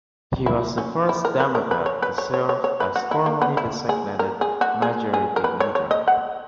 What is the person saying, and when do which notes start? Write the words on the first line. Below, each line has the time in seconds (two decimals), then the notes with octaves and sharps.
He was the first Democrat to serve as formally designated Majority Leader.
0.46 E4
0.78 C#4
1.09 E4
1.25 A#4
1.40 B4
1.55 A#4
1.71 B4
1.86 C#5
2.02 B4
2.18 C#5
2.34 C#5
2.49 C#5
2.64 C#5
2.80 B4
2.96 F#4
3.11 E4
3.26 A#3
3.42 B3
3.57 E4
3.89 G#4
4.19 A#4
4.41 G#4
4.61 F#4
4.82 G#4
5.14 G#4
5.36 A#4
5.44 B4
5.60 C#5
5.75 C#5
5.91 D#5
6.08 F#5